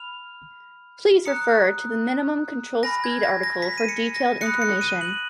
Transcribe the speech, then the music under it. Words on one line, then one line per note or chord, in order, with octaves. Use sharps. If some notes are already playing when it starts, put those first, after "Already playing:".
Please refer to the minimum control speed article for detailed information.
Already playing: B5 F6 F7
A#5 D#6 F#6 C#7
G#5 B5 F6 A#6
G#6
A#6
A#6
B6
D#7
C#7
A#6
B5 D#6 F#6 C#7
C#7
D#7
F#7